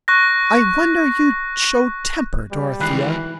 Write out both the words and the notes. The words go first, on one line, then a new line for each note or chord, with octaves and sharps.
"I wonder you show temper, Dorothea."
C#6 F#6 A#6
B2 G3
B1 D#3 E3 G#3 B5 F#6 C7